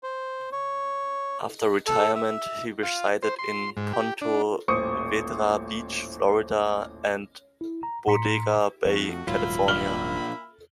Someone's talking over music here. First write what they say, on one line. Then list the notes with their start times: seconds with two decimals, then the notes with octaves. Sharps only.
After retirement he resided in Ponte Vedra Beach, Florida, and Bodega Bay, California.
0.03 C5
0.52 C#5
1.87 A4
2.15 E5
2.83 F4
3.23 C5
3.39 C6
3.77 G#2
3.93 G4
4.21 D4
4.68 D#1 A1 C5 C#6 D#6 C#7
7.61 E4
7.83 A#5
8.07 A2 A#5 C6 B6 C#7
8.85 F2 A3 F#4
9.27 D#1 G#2 F#3 A#3 F4 E5 B5
9.68 A#2 D4 F4 F6 F#7 G7